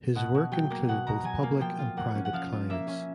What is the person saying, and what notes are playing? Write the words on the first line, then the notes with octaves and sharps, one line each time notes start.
His work included both public and private clients.
B2 F#5
B2
F#3 G5
A#3
B2 F#5
B2 A#5
F#3 G#5
A#3
F3 G5
F4
A#3 F#5
C#4
F#5
F3 F5
F4
A#3 E5
C#4